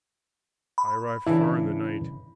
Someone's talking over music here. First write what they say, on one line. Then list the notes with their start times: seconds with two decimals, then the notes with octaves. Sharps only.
I arrived far in the night.
0.78 B5
1.27 C#3 E3 D4 E4